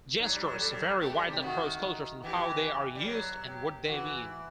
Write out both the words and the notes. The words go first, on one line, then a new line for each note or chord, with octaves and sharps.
Gestures vary widely across cultures in how they are used and what they mean.
F#3 D#4
G3
F#3
G3 A4
F#3
A3 G4
G3
C3
D#3 F#4
E3 G4
G3
F#3
G4
E3 F#4